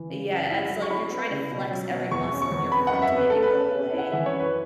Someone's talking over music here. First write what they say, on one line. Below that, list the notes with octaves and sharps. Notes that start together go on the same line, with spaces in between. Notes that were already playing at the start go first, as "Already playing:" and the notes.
Yeah, and it's like you're trying to flex every muscle in your foot to make it go away. Uh,
Already playing: E3
C#3
F#2
E4
F#3
C#6
E4 B5
B3
C#3
B2
F#3
B2
E2 C#6
C#4
C#6
E2
B3 B5
F#5
F#2
E5
B3
B4
A3 A4
B4
C#4
C#4
E4
F#5
E3 E5
C#5
F#2
B4